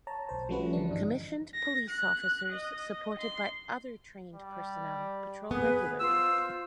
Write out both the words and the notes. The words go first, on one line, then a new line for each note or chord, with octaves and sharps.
Commissioned police officers supported by other trained personnel patrol regularly.
C#5 A5 A#5
B1 C5 A5
F3 G3 A3 C#4 F#4 B4
D3 E3 D4
G2 D#4
A#6
F#6
D#5
C6
G3
B3 G#4 B4
F4 C5 E6